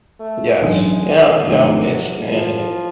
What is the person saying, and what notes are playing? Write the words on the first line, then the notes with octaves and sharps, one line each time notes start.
Yes. Yeah, yep, it's yeah, i
A3
A1 G2 D#3 F#3 G#3
G#1 G#2 F3 F#3 A3 D4
A2 E3 F3 G#3